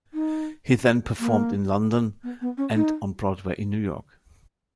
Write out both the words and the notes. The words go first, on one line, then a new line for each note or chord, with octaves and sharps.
He then performed in London and on Broadway in New York.
D#4
A#3
B3
B3
C#4
D#4